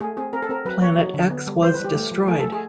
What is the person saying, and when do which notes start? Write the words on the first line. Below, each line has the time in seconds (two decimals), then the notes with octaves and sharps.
Planet X was destroyed!
0.01 A3 G#4
0.17 C4 G#4
0.33 C4 A#4
0.42 A4
0.49 C4 A#4
0.65 F#3 B4
0.82 A#3 C#5
0.98 F#3
1.14 D3
1.30 B3
1.47 G3
1.63 E3 C5
1.74 B4
1.79 G3
1.84 G4
1.95 A3
2.11 F3
2.28 A3 G#4
2.40 A3 A4
2.52 G#4